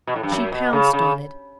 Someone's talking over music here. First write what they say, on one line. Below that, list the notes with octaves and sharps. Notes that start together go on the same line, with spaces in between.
She pounced on it.
B2
A2
G2
F#2
B2
C#3
C#3